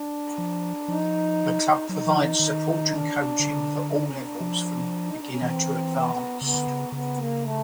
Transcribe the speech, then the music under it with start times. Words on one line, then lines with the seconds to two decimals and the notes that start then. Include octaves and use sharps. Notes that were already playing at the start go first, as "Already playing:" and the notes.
The club provides support and coaching for all levels from beginner to advanced.
Already playing: D4
0.38 F3
0.88 F3 D#4
1.89 F#3 D#4
2.06 F3
2.23 E3
2.39 D#3
2.89 D4
3.40 D3
3.90 D4
4.04 C#4
4.18 D4
4.40 F3
5.05 D#4
5.17 D4
5.29 C#4
5.41 E3 C4
5.91 B3
6.41 C#3 B3
6.54 D3
6.67 C#3
6.92 C#3 B3
7.17 A#3
7.42 A3